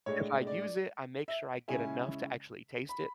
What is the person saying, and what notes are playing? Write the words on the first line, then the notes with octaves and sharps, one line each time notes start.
If I use it, I make sure I get enough to actually taste it,
A2 G#3 D4 C#5
D5
E5
C#3 G#3 C#4 E4 G#5
B5